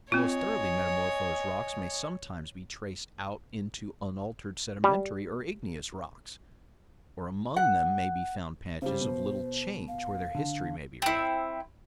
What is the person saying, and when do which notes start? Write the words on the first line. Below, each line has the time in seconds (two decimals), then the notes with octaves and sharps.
The most thoroughly metamorphosed rocks may sometimes be traced out into unaltered sedimentary or igneous rocks, or among them may be found patches of little change where their history maybe read.
0.12 C4 F4 C#5 D#5 G#5
4.84 G3
7.56 F#5
8.82 C#3 G3 C5
9.01 B2
9.88 F5
10.35 D3
11.02 C4 E4